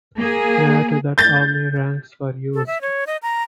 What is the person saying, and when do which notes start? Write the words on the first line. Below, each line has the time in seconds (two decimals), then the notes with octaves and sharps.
Prior to that Army ranks were used.
0.17 A#3 G#4
1.18 G6 A6
2.54 A4
2.67 E5
2.81 C#5
3.07 D#5
3.23 A#5